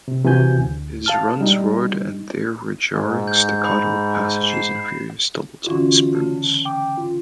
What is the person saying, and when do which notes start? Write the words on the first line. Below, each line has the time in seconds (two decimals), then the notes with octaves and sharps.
His runs roared, and there were jarring staccato passages and furious double-time spurts.
0.08 C3
0.24 C3 E3 F#4 G#5 G6
0.58 D2
1.06 F5 A5 F6
1.41 G3 D#4
2.95 G#2
3.27 G6
3.64 B5
4.50 C7 E7
5.67 D3 E3 C#4 F4 F#4
6.15 C#3 A3
6.65 G5 D6
6.98 F4